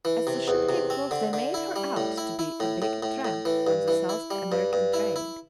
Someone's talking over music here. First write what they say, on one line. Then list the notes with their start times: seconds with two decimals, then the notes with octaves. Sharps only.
As the ship came closer they made her out to be a big "tramp" from the South American trade.
0.05 E3
0.27 C3
0.48 E2
0.69 C3
0.90 C4
1.11 D3
1.33 D3
1.54 E4
1.76 G3
1.97 A2
2.18 E4
2.39 E4
2.60 A2
2.82 A2
3.03 A2
3.25 A2
3.45 E3
3.67 G2
3.88 E3
4.09 E4
4.31 G3
4.52 G2
4.73 G2
4.94 E4
5.16 E4